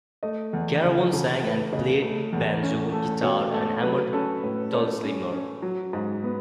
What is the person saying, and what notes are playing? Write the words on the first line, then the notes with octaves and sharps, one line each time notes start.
Carawan sang and played banjo, guitar, and hammered dulcimer.
A3 D#5
E2
C#3
C#3 A4
A3 B4
C#3 D#5
A3
E2
C#4
A3 A4
B2 C#5
A3 A4
F#3 B4
C#4 A4
A2 B4
A3 C#5
C#4
C#4
F#3
G#2
B3